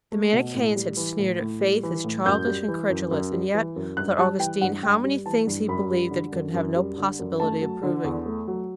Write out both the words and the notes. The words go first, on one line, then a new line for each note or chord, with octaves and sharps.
The Manicheans had sneered at faith as childish and credulous; and yet, thought Augustine, how many things he believed that he could have no possibility of proving.
A3
B2
A2
G3
E3
A2
A2
G3
E3
A2
F#2 G6
G3
E3
F#2
F#2
G3
E3
F#2
G2 F#6
G3 A5
E3 G5
G2 F#5
G2 G5
G3
E3 A5
G2
F#2 B5
G3
D3
F#2
F#2
G3
D3
F#2
A3 A5
F#3
D3
E2
A3
F#3